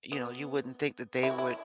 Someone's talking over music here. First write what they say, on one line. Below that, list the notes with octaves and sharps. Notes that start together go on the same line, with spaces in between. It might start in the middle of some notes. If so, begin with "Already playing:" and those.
you know, you wouldn't think that they would
B3
E4
F#4
E4